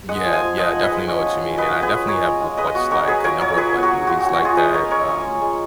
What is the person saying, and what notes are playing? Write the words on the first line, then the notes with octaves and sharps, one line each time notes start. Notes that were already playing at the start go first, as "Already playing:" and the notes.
Yeah, yeah, definitely know what you mean, and I definitely have w watched, like, a number of, like, movies like that. Um,
G#3 D#5 F#5
F3
F5 G#5
F3
F3 D#5 F#5
D#4
B4 D#5
G#3
C#4
F4
F4
F#3 B4 D#5
F4
G#4 B4
C#4
G#3 A#4 C#5
F4
G#3
G#3 B4 D#5
B3 F#4
G#3 F#4 A#4
F#3 G#4 B4
F4 A#4 C#5
F#3 A#4 C#5
F4 G#4 B4
B3
F#4 A#4
F#3
F4 F#4
C#4 F#4
F#4
G#3 F4 G#4
G#3 B4 D#5
F4 A#4 C#5
C#4 A#4 C#5
C#4
F4
G#3